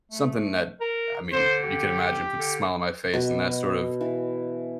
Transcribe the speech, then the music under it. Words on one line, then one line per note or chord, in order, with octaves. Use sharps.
something that, I mean, you can imagine, puts a smile on my face, and that sort of
A3
A#4
D3 C5
G4
D3
B2
E3